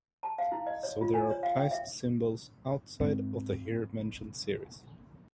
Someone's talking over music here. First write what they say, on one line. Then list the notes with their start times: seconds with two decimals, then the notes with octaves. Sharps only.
So there are Paiste cymbals 'outside' of the here mentioned series.
0.23 A5
0.38 F5
0.52 E4
0.67 D#5
0.83 C#5
1.01 F4
1.14 G#5
1.30 C#5
1.43 F5
1.57 G5
1.71 E5
3.00 G#2 C4